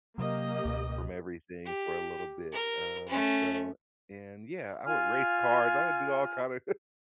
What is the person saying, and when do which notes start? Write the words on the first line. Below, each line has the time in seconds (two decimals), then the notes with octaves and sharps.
from everything for a little bit, um, so and, yeah, I would race cars. I would do all kind of
0.18 C3 F#3 A#3 G4 D#5
0.65 C#2 B2
1.65 G4
2.52 A#4
3.08 A3 C#4
4.85 F4 G#5 F6